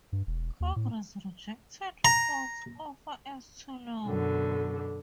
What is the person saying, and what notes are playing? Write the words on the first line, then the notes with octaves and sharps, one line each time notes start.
Congress rejected Ford's offer as too low.
G2
E1
D#2
A2
A#5
F#2 B2 D3